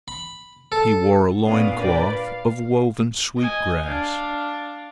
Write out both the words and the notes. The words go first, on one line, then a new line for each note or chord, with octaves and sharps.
He wore a loin cloth of woven sweet grass.
B5
A4
A#2 B3 C#4 D4 F5 D#6
D4 A#4 B4 D5 G5
F5
D#5 G#5
D4 F5